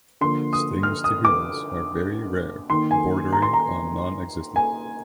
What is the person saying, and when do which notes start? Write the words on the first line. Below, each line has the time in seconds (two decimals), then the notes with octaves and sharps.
Stings to humans are very rare, bordering on non-existent.
0.21 D3 F3 A#3 C6
0.53 D#6
0.83 F6
1.04 D#6
1.25 D6
2.70 D#3 A#3 C6
2.91 G#5
3.32 A#5
3.42 C6
3.53 A#5
4.56 G#5